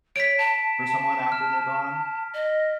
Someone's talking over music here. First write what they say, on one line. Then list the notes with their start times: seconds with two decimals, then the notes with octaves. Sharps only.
for someone after they're gone,
0.16 C#5 B6 D7
0.38 A5
1.32 F6
2.34 D#5